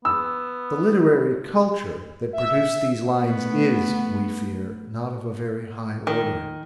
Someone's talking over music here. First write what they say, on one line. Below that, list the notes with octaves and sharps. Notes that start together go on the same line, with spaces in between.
The 'literary culture' that produced these lines is, we fear, not of a very high order.
B3 E6
E5
A3 B3
D#3